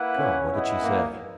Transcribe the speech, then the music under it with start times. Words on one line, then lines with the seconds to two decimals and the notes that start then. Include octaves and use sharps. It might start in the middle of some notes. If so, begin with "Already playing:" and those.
"Come, what did she say?"
Already playing: A#3 E4 B4 F#5
0.17 C#4
0.50 B3 E4 G#4 D#5 F#5
0.83 A#3